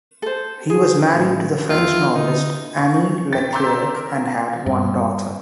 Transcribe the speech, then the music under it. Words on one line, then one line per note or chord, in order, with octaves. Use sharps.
He was married to the French novelist Annie Leclerc and had one daughter.
A4 C5
G#4
A1
E2 E4 F4
D3 D#4
C#6
G5 A6 B6
A#5 C6 D6 E6 G6 B6
A#4
G2